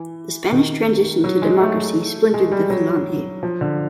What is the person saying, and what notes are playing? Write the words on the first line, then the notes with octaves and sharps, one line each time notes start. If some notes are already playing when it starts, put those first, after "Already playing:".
The Spanish transition to democracy splintered the Falange.
Already playing: E3
D#3
F#3
G#3
A3
G#3
G3
F#3
F3
D3